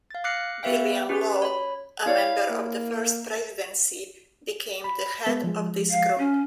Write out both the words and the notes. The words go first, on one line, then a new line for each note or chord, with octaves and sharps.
William Law, a member of the First Presidency, became the head of this group.
F5 A6
D6 F6 F#6 A#6 C7 C#7
B3 G4 B4 E5 F5 G5
C#4 F#4 G4 B4
C#5 B5
E4 C#5 D5 F5
A#3
B5
G#3 B3
F3 G#3
F5
C#4